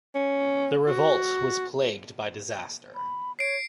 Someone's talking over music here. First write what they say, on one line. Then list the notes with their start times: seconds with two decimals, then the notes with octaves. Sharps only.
The revolt was plagued by disaster.
0.15 C#4
0.87 F#4
2.95 B5
3.39 C#5 C7 D7